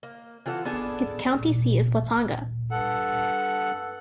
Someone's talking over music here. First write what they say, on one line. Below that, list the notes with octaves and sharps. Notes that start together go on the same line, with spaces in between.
Its county seat is Watonga.
A#3
E3 F4 A4 F#5
B3 D4 G#4 A4
G2 A4 F#5